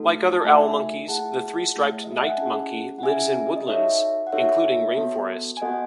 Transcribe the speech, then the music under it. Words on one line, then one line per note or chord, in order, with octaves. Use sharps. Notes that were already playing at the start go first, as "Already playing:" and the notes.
Like other owl monkeys, the three-striped night monkey lives in woodlands including rain forest.
Already playing: A3 D#4 F#4 A4
A5
A3 D#4 F#4 A4 E5 G#5
A3 E4 G#4 F#5 A5
A3 E4 G#4
D#5
E5
F#5
G#5
C#4 E4 G#4 F#5 A5
F#5
C#4 E4 G#4 E5 G#5
D#5
D#4 F#4 A4 C#5 E5
F#5
D#4 F#4 A4 C#5 E5
B3 F#4 A4
G#5
B3 F#4 A4 D#5 F#5